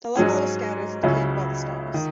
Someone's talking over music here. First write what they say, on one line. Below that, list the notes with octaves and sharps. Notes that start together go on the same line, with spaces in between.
The level of a Scouter is indicated by the stars.
G#2 F#3 C#4 G#4
C#2 C#3 F#3 C#4 E4
D#3